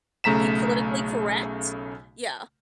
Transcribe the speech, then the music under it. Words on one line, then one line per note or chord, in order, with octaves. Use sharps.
Be politically correct? Yeah.
B1 C#3 A3 A#5 B6 E7